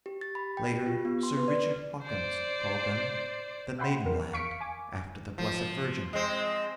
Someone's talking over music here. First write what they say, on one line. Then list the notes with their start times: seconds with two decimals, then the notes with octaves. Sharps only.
Later Sir Richard Hawkins called them the Maidenland, after the Blessed Virgin.
0.06 G4
0.21 A6
0.35 B5
0.57 G5
0.72 G4
0.86 F4
1.05 B3
1.23 C6
1.37 B4
1.48 D5
2.03 C5 D5
3.79 E5 F#5 G5 B5 C6
4.05 F2 A#4
4.33 F5 C#6 B6 C#7 D7
4.61 G#5 D6
5.38 F3
6.13 G#3 C4